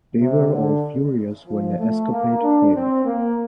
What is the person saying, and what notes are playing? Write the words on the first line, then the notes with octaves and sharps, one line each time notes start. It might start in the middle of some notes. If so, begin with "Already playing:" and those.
They were all furious when the escapade failed.
C3
D3
F3
A3
A#3
D4
C4
A#3